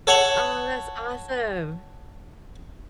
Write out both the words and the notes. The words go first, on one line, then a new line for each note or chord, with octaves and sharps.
Oh, that's awesome.
A4 C#5 F#5